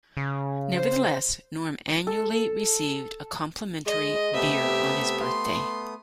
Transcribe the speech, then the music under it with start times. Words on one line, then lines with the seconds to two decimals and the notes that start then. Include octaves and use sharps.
Nevertheless, Norm annually received a complimentary beer on his birthday.
0.17 C#3
0.75 C5
2.07 A4
3.86 G#3 D#5
4.34 C3 A3 B3 G4 E5 D#6
5.24 C6